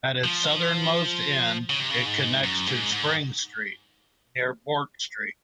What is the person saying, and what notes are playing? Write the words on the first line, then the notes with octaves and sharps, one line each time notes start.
At its southernmost end, it connects to Spring Street near Bourke Street.
F3
C#3
C3
C#3
G#2
F#2
G#2
G#2